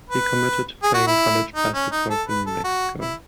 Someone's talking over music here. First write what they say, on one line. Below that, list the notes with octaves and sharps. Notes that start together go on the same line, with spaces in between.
He committed to playing college basketball for New Mexico.
B4
G#4
F#4
E4
D#4
C#4
D#4
A4
B4
A4
F#4
E4